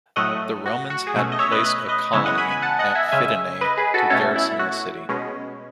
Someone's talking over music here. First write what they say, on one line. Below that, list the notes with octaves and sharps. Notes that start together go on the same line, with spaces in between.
The Romans had placed a colony at Fidenae to garrison the city.
A2 F#3 A3 D#5 F#5
F#4
F#4
G#4
B2 A3 C#4 F#4
D#5
C#5 E5
B4 D#5
B4 D#5
B4 D#5
C#3 E3 G#3 B3 C#5 E5
D#5 F#5
G#5 B5
G#5 B5
F#5 A5
D#5 F#5
E5 G#5
C#3 G#3 C#4 E5 G#5
B4 D#5
G#4 B4
F#4 A4
B2 A3 C#4 A4 C#5
E4
F#4
B2 G#3 C#4